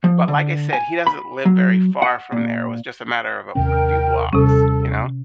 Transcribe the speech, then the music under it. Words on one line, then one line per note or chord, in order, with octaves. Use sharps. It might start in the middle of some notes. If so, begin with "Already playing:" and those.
But like I said, he doesn't live very far from there. It was just a matter of a c few blocks. You know,
F3
D3
G#5
B5
F#3
F#5
A#2
D#2 C3 C#4 A#4 G5
D#2 C3 G3 C#4 A4